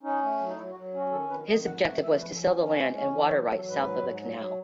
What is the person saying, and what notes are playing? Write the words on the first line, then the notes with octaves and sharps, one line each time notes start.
His objective was to sell the land and water rights south of the canal.
C#4 D#4
A3
F#3
D#4
F#3 E4
F#4
F#3
C#4 F#4
D#3 A4
D#3 B4
D#3 D#5
G#2 F#5
A3 F#5
A3 E5
F#2 B4
A4
C#4
D#4
C#4
G#3 B4
C#4
C#5
E3
F#3 C#5
A4
F#3
A4
G#2 B4
F#3
G#2
F#3
F#3